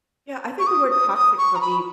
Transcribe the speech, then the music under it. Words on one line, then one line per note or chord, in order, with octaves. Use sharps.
Yeah, I think the word toxic for me
C#6
D#6
D#6
D#6
C#6
A#5
B5